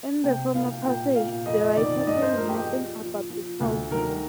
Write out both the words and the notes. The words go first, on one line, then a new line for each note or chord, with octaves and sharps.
In the former passage the writer says nothing about the child's name.
C3 G5
C2 F5
A#2 G5
A#2 F5
F2 D#5
D#3 D5
D5
G2 D#5
C5
F3 A#4
G4
G#4
F3
F3
F3
D2
D#3 A#4